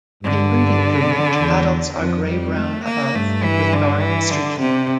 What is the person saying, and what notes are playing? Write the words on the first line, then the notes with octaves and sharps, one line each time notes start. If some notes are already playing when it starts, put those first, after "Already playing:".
In breeding plumage, adults are grey-brown above, with dark streaking.
G2 D3
E2
F2 F3
G3
A3
A#3
G2 A3
E3
D3
E3
D3
C3